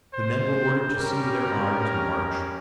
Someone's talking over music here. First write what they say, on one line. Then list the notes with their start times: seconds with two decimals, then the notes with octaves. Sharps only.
The men were ordered to see to their arms and march.
0.14 C5
0.92 G3 C#4 G4 A#4